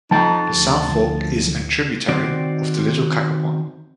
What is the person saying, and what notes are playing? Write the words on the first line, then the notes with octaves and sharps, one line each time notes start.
The South Fork is an tributary of the Little Cacapon.
F3 D#4 G5 A5 A6
D2
D#3 C4 F#4 C5 D5